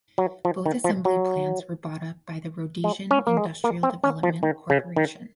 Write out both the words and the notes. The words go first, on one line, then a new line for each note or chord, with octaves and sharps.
Both assembly plants were bought up by the Rhodesian "Industrial Development Corporation".
F#3
F3
D#3
F3
F#3
G#3
C#4
A#3
G#3
A#3
C4
C#4
F3
D#3
C#3
D#3